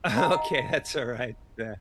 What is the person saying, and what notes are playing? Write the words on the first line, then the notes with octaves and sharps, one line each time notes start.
Okay, that's alright. Yeah.
A4 D#5 F#5 G#5 A#5